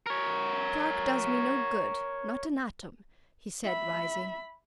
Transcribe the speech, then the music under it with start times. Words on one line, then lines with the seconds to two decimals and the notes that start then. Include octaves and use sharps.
"Clarke does me no good--not an atom," he said, rising.
0.07 A#4 C#5
3.64 E5 B5